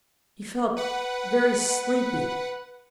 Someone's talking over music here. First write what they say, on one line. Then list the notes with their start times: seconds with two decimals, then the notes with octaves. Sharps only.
He felt very sleepy.
0.77 B4 F#5